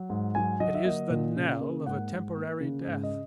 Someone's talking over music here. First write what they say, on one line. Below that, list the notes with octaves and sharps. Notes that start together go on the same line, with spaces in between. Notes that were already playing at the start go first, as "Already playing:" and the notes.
It is the knell of a temporary death.
Already playing: F#3
G#2
F#3 G#5
F#3 D#5
E5
A#3 D#5
A#2
C#3
A#3
G#2 F#5
G#2
A#3
C#3
G#2
D#5